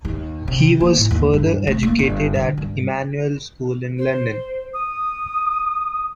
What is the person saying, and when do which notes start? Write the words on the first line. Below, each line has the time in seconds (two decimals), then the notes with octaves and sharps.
He was further educated at Emanuel School in London.
0.05 D#2
0.48 C3
0.80 A#3
0.97 A2
1.11 D#2
1.34 G2
1.67 A3
1.83 A#3
1.99 G1
2.35 D3
2.58 G2
3.98 C5
4.74 D#6